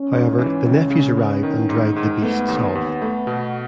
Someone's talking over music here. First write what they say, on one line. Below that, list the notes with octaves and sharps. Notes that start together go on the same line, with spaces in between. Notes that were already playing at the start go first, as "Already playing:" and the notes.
However, the nephews arrive and drive the beasts off.
Already playing: C#4
G#2
E3
C#2
C#3
B3
D#3
G#2
G#2
A3 B3
D#2
B3
D#2
A3
B2